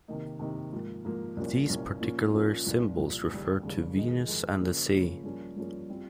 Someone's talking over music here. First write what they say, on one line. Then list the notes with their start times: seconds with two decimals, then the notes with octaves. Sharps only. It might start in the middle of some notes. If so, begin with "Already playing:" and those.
These particular symbols refer to Venus and the sea.
0.08 C3 D#3 A#3 D#4
0.39 C3 D#3 A#3 D#4
0.73 G#2 F3 A#3
1.05 G#2 F3 A#3
1.37 C2 A#2 F3 A#3 C#4
1.69 C2 A#2 F3 A#3 C#4
2.01 A#2 F3 A#3 C#4
2.33 A#2 F3 A#3 C#4
2.66 C2 A#2 F3
2.98 C2 A#2 F3
3.30 D#2 C#3 G3
3.63 D#2 C#3 G3
3.96 F2 D#3 G#3 D#4
4.27 F2 D#3 G#3 D#4
4.60 C#3 F3 A#3 C#4
4.92 C#3 F3 A#3 C#4
5.24 G2 F3 A#3 C#4 G#4
5.56 G2 F3 A#3 C#4 G#4
5.89 G3 C4 F4